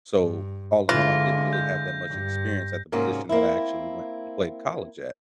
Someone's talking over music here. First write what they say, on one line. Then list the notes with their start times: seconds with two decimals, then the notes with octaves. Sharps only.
so, all in all, I didn't really have that much experience at the position that I actually went and played college at.
0.16 G2
0.89 D3 E3 G#3 F4 A#6
1.53 G6
2.08 G2
2.92 G#2 C3 F#3 A#3 C#4
3.29 A#3 C4 E4